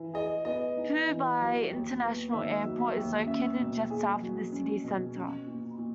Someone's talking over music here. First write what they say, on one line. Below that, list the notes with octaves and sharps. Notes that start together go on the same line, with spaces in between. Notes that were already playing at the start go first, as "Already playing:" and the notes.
Phu Bai International Airport is located just south of the city centre.
Already playing: E3
G#4 D#5
B3 D#5
D#4
E3
F#3
D#2
B3
D#3 E5
F#3
E5
D#2
C#4 E5
B2
G#4
F#3
C#4
B2
C#4
A#2
A#2